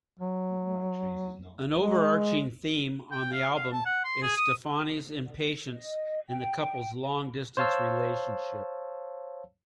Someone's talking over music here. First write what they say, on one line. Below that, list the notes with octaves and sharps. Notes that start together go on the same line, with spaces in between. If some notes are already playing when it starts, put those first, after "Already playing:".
An overarching theme on the album is Stefani's impatience in the couple's long-distance relationship.
F#3
G#3
G5
F5
F5
A5
F#5
C6
G#4
D#6
D#5
G5
C5 C#5 F5 A5 E6